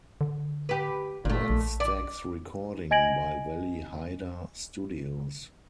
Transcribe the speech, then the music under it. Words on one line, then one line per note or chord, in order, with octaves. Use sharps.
Wattstax recording by Wally Heider Studios.
D3
G4 B4
G1 A#2 A3
A#1
D5
D#5 G#5 G#6 A#6 D7 F#7